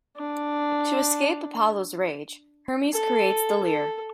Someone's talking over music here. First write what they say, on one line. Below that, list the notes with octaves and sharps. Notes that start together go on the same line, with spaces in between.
To escape Apollo's rage, Hermes creates the lyre.
D4
A4
A4